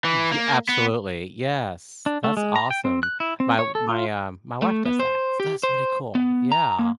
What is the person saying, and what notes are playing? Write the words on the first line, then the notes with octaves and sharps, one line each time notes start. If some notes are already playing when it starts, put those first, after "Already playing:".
Ye absolutely. Yes, that's awesome. My my, uh my wife does that, so that's really cool, yeah.
E3
A#3
B3
D4
A3
G#3
A#5
G5
C4
F#6
E4
C4
C#5
A4
F4
A3
B3
C5
G4
C5
B3
A#5
A#3